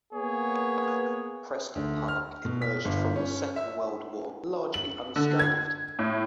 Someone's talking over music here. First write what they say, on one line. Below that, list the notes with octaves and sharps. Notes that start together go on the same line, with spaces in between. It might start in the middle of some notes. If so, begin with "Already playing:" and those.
Prenton Park emerged from the Second World War largely unscathed.
A#3 B3 G#4 C#5
D2
F6
B2
B6
G1
C#4
E5
F#7
D3
G#6
A2